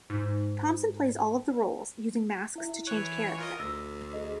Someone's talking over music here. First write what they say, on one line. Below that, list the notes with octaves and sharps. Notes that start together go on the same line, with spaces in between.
Thomson plays all of the roles, using masks to change character.
G#2
E4 E5
E3 C#5 F#6
F4 A#4 D#5
D2 E6
G#4 D#5